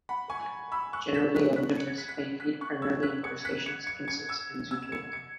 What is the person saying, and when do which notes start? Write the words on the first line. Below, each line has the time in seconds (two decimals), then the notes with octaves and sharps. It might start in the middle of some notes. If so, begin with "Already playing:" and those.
Generally omnivorous, they feed primarily on crustaceans, insects, and zooplankton.
0.09 F#5 B5
0.30 G#5 C#6
0.72 B5 E6
0.93 C#6 F#6
1.14 B6 E7
1.35 F#6 B6
1.56 F#6 B6
1.77 G#6 C#7
1.87 G#6 C#7
1.98 F#6 B6
2.08 F#6 B6
2.18 F#6 B6
2.40 F#6 B6
2.61 C#6 F#6
2.82 E6 G#6
3.03 F#6 B6
3.24 G#6 C#7
3.45 F#6 B6
3.66 G#6 C#7
3.87 G#6 C#7
4.08 G#6 C#7
4.29 E6 G#6
4.71 E6 G#6
4.83 E7
4.92 G#6 C#7
5.13 G#6 C#7